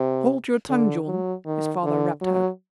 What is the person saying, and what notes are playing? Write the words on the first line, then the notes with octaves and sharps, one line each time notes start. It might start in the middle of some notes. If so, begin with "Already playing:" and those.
"Hold your tongue, John," his father rapped out.
Already playing: C3
D3
F#3
D#3
D3
F#3